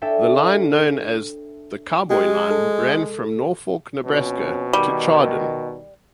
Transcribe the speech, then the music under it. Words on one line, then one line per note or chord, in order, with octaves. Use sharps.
The line, known as the "Cowboy Line", ran from Norfolk, Nebraska to Chadron.
D4 A4 C#5 E5 G5
G#3 G4 G5
A4
B2 F3 C4 C#4
D#3 G3